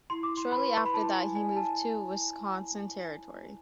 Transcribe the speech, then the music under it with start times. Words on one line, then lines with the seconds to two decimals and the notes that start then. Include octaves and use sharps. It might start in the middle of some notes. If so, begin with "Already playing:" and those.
Shortly after that, he moved to Wisconsin Territory.
0.10 E4 C6
0.23 D6
0.37 C6
0.52 B4 B5
0.77 C6
0.86 B5
0.93 E4 A5
1.15 G#5
1.35 D5 G#5
1.56 A5